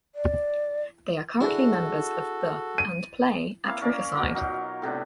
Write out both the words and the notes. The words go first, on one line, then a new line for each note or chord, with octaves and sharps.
They are currently members of the and play at Riverside.
D5
D4 E4 F#4 G#4 A4
D#7
A#3 C4 E4 F5
C#4 A#4 D5 F5
B2 F#4 A#4
F#3 D#4 F4
A2 C3 B3 D4